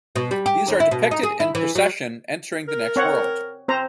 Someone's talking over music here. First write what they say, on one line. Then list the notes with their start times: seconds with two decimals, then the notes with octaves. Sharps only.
These are depicted in procession entering the next world.
0.16 B2
0.31 G3
0.46 G4
0.68 D#2
0.80 E4
0.91 B2
1.11 D#4
1.23 G#4
1.40 E4
1.55 E3
1.75 F#3
2.68 A#4
2.96 C4 C#5 F#5
3.69 C4 C5 A#5